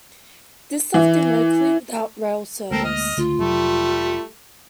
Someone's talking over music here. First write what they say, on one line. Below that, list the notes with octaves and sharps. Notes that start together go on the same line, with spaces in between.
This left Immokalee without rail service.
E3
D2 G#3 A#3 C4 A4 A#4
D#5 F6
C#2 D3 A3 F4
F1 F#3 G3 A3